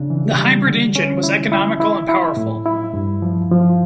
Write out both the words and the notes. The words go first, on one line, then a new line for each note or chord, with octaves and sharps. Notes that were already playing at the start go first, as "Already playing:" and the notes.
The hybrid engine was economical and powerful.
Already playing: C#3 D4
E3
G3
D3
C#4
E4
E4
E4
E4
A2
E4
G2
F3
F3